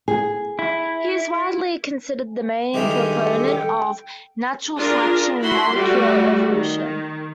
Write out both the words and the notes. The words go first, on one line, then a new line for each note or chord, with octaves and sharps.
He is widely considered the main proponent of natural selection in molecular evolution.
G#4
E4
G2 D#3 E3 G#3 G4 A4
G5
D4 F4 G#4 A#4
E4 F#4 B5 C6
G3 A3 F#4
D#3